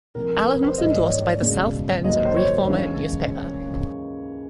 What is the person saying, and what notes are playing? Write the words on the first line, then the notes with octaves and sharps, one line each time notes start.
Allen was endorsed by The South Bend Reformer newspaper.
C2 C3 F3 A#4
A#4
B4
C5
G#2 E3 G3 A#3 D#5
D5
C#5
D5
C#2 B2 G#3
D#2 D#3 F#3 D#5
C5
C#5
C#2 C#3 E3